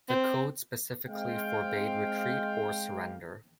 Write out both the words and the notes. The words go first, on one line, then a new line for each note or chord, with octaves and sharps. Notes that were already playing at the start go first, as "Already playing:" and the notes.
The code specifically forbade retreat or surrender.
C4
G#3 C4 F5 G5